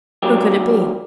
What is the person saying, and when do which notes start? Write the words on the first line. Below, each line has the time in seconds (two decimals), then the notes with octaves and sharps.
Who could it be?
0.23 G#2 F#3 G3 A#3 G4